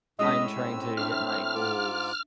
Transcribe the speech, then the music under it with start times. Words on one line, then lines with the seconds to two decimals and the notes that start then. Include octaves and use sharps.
I'm trying to hit my goals,
0.19 A2 G#3 C#4 D#5 E6 B6
0.56 C4
0.97 A2 A3 D4 E5 F6
1.55 G#2 F4 D6